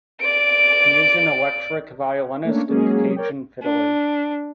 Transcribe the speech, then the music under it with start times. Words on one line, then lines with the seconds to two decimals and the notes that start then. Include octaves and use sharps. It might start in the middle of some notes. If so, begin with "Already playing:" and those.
He is an electric violinist and Cajun fiddler.
0.20 D5 D7
2.44 A3 A#3 C#4 D4 C#5
2.68 F#3 G#3 A#3 C#4 G#4
3.16 A#4 C#5 D5 G5
3.63 D4